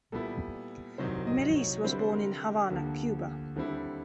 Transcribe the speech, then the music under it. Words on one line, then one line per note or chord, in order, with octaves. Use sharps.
Melis was born in Havana, Cuba.
A#2 G3 B3 E4 A4
C2 C3 D#3 F#3 C5
D#5
C#5
D3 G3 C4 E4 C5
B4
C5
A#4
G4
D2 D3 F3 A#3
D#2 D3 G3 C4 E4